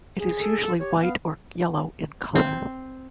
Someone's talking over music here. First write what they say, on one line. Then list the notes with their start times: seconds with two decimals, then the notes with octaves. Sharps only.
It is usually white or yellow in colour.
0.18 G#4
0.38 A4
0.61 A4
0.79 G4 C#5
1.01 B3 F5
2.35 C4